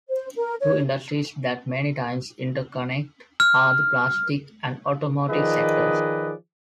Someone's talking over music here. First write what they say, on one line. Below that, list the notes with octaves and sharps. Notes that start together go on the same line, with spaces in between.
Two industries that many times interconnect are the plastic and automotive sectors.
C5
A#4
C#5
F6
D#3 F3 G#4 B4 D5 D#5